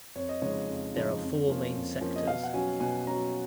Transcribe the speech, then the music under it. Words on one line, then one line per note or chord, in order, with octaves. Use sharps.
The are four main sectors.
F2 C#5
D#5
C#3 F3 G#3 D#4 C#5
F2
C#3 F3 G#3 D#4
F2
F3 A#3 C#4
F2
F3 A#3 C#4
D#5
B2 F5
F#5
F#3 C#4 G#5
B2 G#5
F#3 C#4 A#5